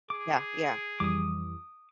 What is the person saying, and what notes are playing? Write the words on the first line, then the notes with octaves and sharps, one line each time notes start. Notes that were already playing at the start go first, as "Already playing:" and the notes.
Yeah, yeah.
G#4 D6
F2 E3 G3 D6 D#6